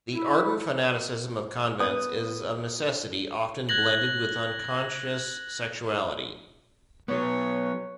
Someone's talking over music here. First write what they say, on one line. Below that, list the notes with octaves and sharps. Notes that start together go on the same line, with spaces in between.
The ardent fanaticism of convents is of necessity often blended with unconscious sexuality.
E4
B3 D#6
F#6 G#6 A#6 F#7
F#3 B3 C#5